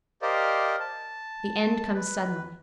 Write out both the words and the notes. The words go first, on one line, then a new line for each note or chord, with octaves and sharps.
The end comes suddenly.
G4 A#4 C5 D5 D#5 F5
A5
B4